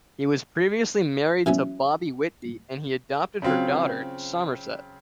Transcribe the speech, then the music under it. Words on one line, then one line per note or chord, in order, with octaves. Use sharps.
He was previously married to Bobbie Whitby and he adopted her daughter, Somerset.
E3 F#3 B3 C#4
C#3 F#3 C4 F4